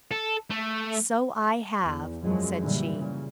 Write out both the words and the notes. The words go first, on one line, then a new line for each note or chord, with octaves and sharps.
"So I have," said she.
A4
A3
E2
F#2 F3 F#3 G#3
A#2 D3 E3 G3
A#2 C#3